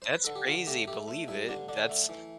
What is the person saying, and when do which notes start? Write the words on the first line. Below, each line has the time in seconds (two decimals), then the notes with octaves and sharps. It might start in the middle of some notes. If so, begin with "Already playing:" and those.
That's crazy, believe it, that's
0.02 C5
0.13 B4
0.24 D3 A4
0.35 G4
0.47 D3 F4
0.67 A3 G4
0.87 A3 G4
1.08 A3
1.28 G2 E4
1.49 D3 D4
1.68 D3 D4
1.89 A3
2.09 E3